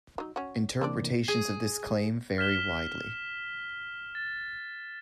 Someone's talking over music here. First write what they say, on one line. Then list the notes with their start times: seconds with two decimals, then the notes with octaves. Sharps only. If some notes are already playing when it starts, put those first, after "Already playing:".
Interpretations of this claim vary widely.
0.18 F#3 D#4
0.36 C#4 F#4
0.81 C3 E3 A#3 C4 D4 D5
1.28 G#4
2.38 F6 B6 E7 G7
4.15 A6